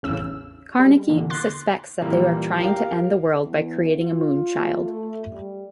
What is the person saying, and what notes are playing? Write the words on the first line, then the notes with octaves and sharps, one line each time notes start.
Carnacki suspects that they are trying to end the world by creating a Moonchild.
A1 E2 C#3 E6
G3
E2 A#2 D3
C6 F#6 A6
A#2 E3 G3 A#3
G4 A#4 F5
E2
F4
A3
G3